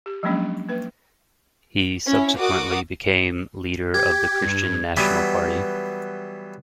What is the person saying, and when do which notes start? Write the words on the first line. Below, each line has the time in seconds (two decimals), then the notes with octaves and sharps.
He subsequently became leader of the Christian National Party.
0.06 G4
0.23 F3 F#3 G#3 A#3 C#4 D4
0.69 A#3 B4 E5
2.06 C#4 E4
2.39 F#4 A#4 D5 D6 D#6
3.94 G4 G#6
4.42 G2
4.97 E3 F#3 G3 B3